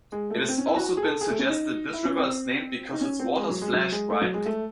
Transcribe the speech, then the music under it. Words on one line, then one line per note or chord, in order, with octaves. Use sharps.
It has also been suggested this river is named because its waters flash brightly.
G#3
A3
C4
C#4
E4
F#4
G#4
A4
G#4
A3
C#4
D#4
E4
C#4
C4
D#4
C#4
C4
G#3
F#3
G#3
F#3
G#3
A3
F#3
G#3
A3